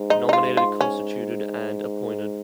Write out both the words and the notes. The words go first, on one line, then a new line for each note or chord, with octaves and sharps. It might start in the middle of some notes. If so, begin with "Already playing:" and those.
Nominated, constituted, and appointed.
Already playing: G#2
D#4
D#4
G#2 F4
F4
C#4